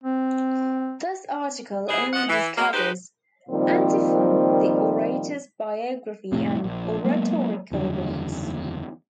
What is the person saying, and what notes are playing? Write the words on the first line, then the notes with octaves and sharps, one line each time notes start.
This article only discusses Antiphon the Orator's biography and oratorical works.
C4
E3 G3 C4 G#4
F3 D#5 F#5
E3
F#3 G#3 A#3
G#3 D#4 G4 B4 C5
A#2 D#3 F3 G3 C4
F2 A2 C3
A#1
F#3 G#3 A#3 B3
F#1 E2 D3 G3